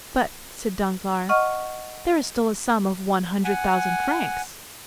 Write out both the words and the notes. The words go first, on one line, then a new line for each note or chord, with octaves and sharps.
"But," said Danglars, "there is still a sum of one hundred thousand francs?"
D#5 F#5 C#6 F6
F#5 G#5